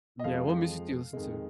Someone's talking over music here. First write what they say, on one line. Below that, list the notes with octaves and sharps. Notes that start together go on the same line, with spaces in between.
Yeah, what music do you listen to?
D#5
F2 F3 G#3 F5
F2 D#3 G#3